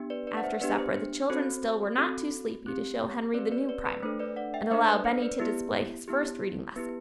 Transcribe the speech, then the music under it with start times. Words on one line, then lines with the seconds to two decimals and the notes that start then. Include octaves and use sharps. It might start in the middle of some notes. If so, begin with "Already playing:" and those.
After supper the children still were not too sleepy to show Henry the new primer, and allow Benny to display his first reading lesson.
Already playing: B3 D4 G4
0.10 B4 D5
0.27 B4 D5
0.37 F#5
0.44 C5 E5
0.61 B3 D4 G4 B4 D5
0.78 C5
0.95 C5
1.30 C4 F#4 A4 C5
1.98 C4 F#4 A4
2.66 C4 G4
3.34 C4 B4 D5
3.38 G4
3.51 B4 D5
3.69 B4 D5
3.85 B4
4.03 A3 D4 A4 C5
4.20 B4 D5
4.36 D5 F#5
4.54 E5 G5
4.71 A3 D4 A4 C5 E5
4.88 B4 D5
5.05 C5
5.22 B4 D5
5.40 B3 E4 G4
6.08 B3 E4 G4
6.76 B3 E4 G4 B4